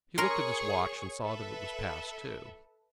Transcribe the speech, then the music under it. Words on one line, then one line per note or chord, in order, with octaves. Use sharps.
He looked at his watch and saw that it was past two.
G#4 A#4 C#5 C6 C#6
A4 B4 E5